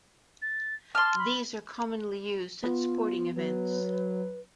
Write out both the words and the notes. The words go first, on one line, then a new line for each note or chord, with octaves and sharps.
These are commonly used at sporting events.
A6
A5 C6 F6
B5
B3 F4
F#3 B4